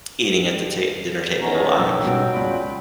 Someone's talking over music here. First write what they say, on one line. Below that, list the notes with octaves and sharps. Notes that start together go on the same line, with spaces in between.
eating at the ta dinner table. Um,
D#3 B3 C#4 A#5
A2
B1 E6
G#2 B2 F#3 G3 G5
C#2 F4 D5 B5